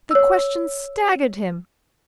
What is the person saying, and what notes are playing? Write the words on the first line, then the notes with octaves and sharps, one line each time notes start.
The question staggered him.
C#5 E6